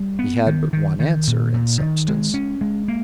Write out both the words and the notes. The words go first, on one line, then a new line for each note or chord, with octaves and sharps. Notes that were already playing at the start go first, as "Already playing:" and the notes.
He had but one answer, in substance.
Already playing: G3
B3
D#3
D#3
D#3
A#2
A#2
D#3
G#3
C#4
G#3
A#3